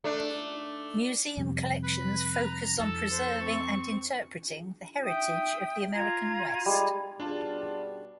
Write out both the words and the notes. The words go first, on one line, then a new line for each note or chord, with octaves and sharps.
Museum collections focus on preserving and interpreting the heritage of the American West.
A3 D4
F2 C3 G3
B4
A#5
F2 A4 A5
C5
C4 C#6
E5 G5 D#6
F4 A#5 G#6
G3 G#3 A5
B2 G3 D4 F4 D5 A5